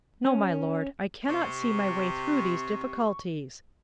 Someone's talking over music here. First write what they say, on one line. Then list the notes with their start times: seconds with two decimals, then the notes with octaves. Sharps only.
No, my Lord; I cannot see my way through these difficulties.
0.25 C#4
1.28 C3 C#6